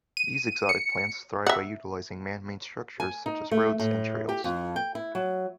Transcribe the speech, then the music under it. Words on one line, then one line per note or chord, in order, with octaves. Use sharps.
These exotic plants thrive by utilizing manmade structures such as roads and trails.
D#7
C#7
E5 F#5
G#5
D#4
A3
A2
G4
F2
G5
E4
F#3